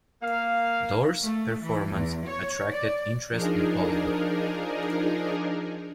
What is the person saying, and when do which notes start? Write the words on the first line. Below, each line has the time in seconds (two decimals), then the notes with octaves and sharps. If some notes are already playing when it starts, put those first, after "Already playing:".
Dors' performance attracted interest in Hollywood.
0.23 A#3 F5
1.24 A3
1.63 E3
1.92 E2
2.27 C#5
2.73 D5
3.30 F3 D4 D#4 G#4 A#4